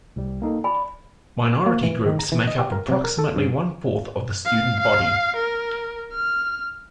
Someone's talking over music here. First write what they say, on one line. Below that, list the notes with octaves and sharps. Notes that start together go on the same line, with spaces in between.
Minority groups make up approximately one-fourth of the student body.
C2 G3
A#3 D#4 A4
D5 G#5 B5
A#3
E3
D#3
A#5
E3
D#5
G4
A#4
C3
A#4
A4
G2
F5
F5
A#4
F6